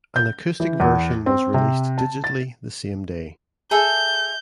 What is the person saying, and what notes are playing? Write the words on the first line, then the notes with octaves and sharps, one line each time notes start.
An acoustic version was released digitally the same day.
G6
E3
E2
C4
C3
A5
A6
G#4 A4 E5 G6